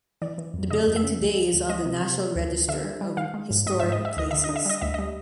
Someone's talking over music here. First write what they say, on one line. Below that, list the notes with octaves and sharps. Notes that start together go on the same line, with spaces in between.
The building today is on the National Register of Historic Places.
E3 D5
E3
F2
C#3 D#5
F2
E5
C#3
D2
G#3
D2
G#3 D#5
C3
C3
G3
D2
D2
D3 E5
G3
G3
D#3 F5
G#3
G#2
G#2 D#5
G#2 E5
D#5
G#2
E5
D2 D#5
D3 E5
D#5
D3
E5
G3 D#5
D2 E5
G3 D#5